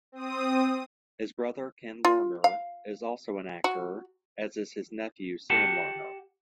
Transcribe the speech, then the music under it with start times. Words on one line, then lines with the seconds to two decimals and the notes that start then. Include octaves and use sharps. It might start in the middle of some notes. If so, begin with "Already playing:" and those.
His brother, Ken Lerner, is also an actor, as is his nephew, Sam Lerner.
0.12 C4 D#6
2.05 F4
2.44 F5
3.64 F#4
5.50 G4 F#5 A5